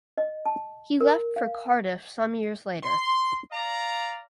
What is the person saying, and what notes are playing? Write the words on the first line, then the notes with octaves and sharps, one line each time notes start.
He left for Cardiff some years later.
D#5
A5
A#4
F5
C6
D5 F5 A#5